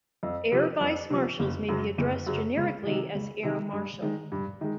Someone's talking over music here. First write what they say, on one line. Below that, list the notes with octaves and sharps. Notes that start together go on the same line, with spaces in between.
Air vice-marshals may be addressed generically as "air marshal".
F2
C3 F3
F2
C3 F3
F#1
F#2 C#3 F#3
F#1
F#2 C#3 F#3
C#2
C3 D#3 G#3
C#2
C3 D#3 G#3
G2
D#3 G#3
G2
D#3 G#3